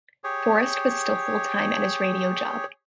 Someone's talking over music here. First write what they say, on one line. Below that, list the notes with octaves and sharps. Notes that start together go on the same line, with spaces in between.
Forrest was still full-time at his radio job.
G4 G#4 C#5